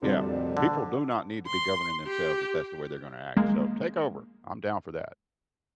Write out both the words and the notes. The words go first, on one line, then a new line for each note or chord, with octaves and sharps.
Yeah, people do not need to be governing themselves if that's the way they're gonna act, so, "Take over, I'm down for that."
D2 C3 G3 B3 D4 D#4 F4
F2 A#2
D3
C6
G4
G#3 A#3